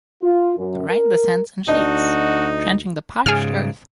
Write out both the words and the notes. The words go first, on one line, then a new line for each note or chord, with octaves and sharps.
The rain descends in sheets, drenching the parched earth.
F4
F#2
A#4
D2 D4 D#4 F#4 D#5
G#2 C#3 G#4 F6